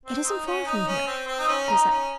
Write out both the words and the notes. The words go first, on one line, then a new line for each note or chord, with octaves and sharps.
"It isn't far from here," she said.
C4
D#4
C#4
D#4
C#4
C4
C4
D#4
C#4
D#4 A#5
C#4